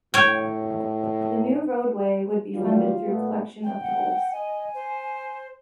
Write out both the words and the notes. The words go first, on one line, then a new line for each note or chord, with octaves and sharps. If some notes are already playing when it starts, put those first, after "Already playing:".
The new roadway would be funded through collection of tolls.
A2 C#5 G5
D#2 F#3 G3 F4
A#2 A3 B3
G5
F#5
D#5 G#5
C5